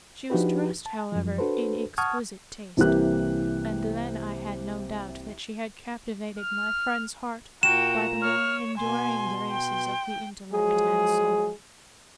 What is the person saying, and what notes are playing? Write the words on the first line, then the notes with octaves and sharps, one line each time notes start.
She was dressed, however, in exquisite taste--and then I had no doubt that she had captivated my friend's heart by the more enduring graces of the intellect and soul.
F3 D4 D#4 F#4 G4 B4
A5
F#2 F3
D4 F#4 A4 B4 C5
F#5 A5 C#6 D#6 F6 G#6
C2 C3 E3 A#3 G4 F#6
F6
A#2 F#4 G5 A#5 E7
C#5 F6
B2 G#5 C6
G5
F3 F#3 G#3 G#4